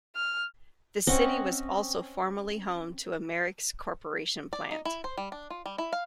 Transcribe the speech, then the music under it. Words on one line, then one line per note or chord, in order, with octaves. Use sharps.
The city was also formerly home to a Merix Corporation plant.
F6
C4 C#4 D#5 F#5
D5
D#4
E4
C5
G3
D4
F4
G3
E4
F5